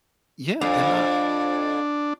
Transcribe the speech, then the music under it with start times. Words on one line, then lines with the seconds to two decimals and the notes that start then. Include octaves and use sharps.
Yeah, and, uh
0.61 F2 D4